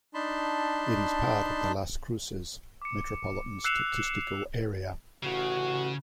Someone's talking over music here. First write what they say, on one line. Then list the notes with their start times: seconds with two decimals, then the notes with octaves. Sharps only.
It is part of the Las Cruces Metropolitan Statistical Area.
0.14 D4 D#4 A5 B5 C6
2.82 D6 C#7
3.64 E6 F#6 C7 C#7 E7 F7
5.23 A1 C#3 F#4